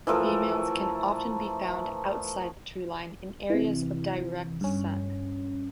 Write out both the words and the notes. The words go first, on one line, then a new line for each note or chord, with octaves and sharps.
Females can often be found outside the treeline, in areas of direct sun.
E3 F3 A3 A#4
C3 E3
G2 C#4